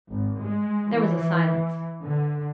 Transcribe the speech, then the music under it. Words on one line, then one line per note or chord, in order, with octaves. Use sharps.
There was a silence.
G#1
G#3
E3
D3